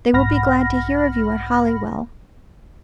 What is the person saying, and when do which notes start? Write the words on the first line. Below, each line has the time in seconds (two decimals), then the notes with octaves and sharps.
They will be glad to hear of you at Hollywell.
0.13 B1 G#2 F#5 B5 F6 A#6